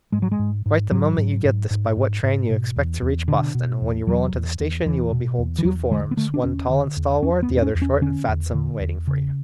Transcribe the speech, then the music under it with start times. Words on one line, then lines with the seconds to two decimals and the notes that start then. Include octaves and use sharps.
Write the moment you get this by what train you expect to reach Boston, and when you roll into the station you will behold two forms, one tall and stalwart, the other short and fatsome, waiting for you.
0.12 G#2 G#3
0.22 F#3
0.32 G#3
0.39 G#2
0.66 G#2
0.91 G#2 F#3
1.17 G#2
1.45 G#2
1.71 G#2
1.97 G#2
2.23 G#2
2.49 B2
2.76 E2
3.02 E2
3.28 B2 D3
3.55 B2
3.81 E2
4.07 E2 F#3
4.34 E2
4.60 E2
4.86 E2 E3
5.12 B2
5.38 E2
5.59 E3
5.65 E2 F#3
5.91 D3 G#3
6.11 B3
6.17 D3 A3
6.34 D4
6.43 E2 C#4
6.70 D3
6.97 E2
7.23 E2 C#4
7.43 B3
7.50 E2
7.57 B3
7.62 C#4
7.75 E2
7.82 C#4
8.01 D3 C#4
8.28 E2
8.54 D3
8.80 E2
9.07 C#3